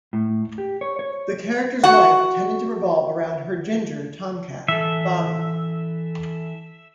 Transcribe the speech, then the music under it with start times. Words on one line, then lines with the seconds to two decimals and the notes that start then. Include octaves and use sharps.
The character's life tended to revolve around her ginger tom-cat, Bobby.
0.13 A2
0.58 G4
0.81 C#5
0.99 C#5
1.83 F#4 F#5
4.68 E3 A4 E5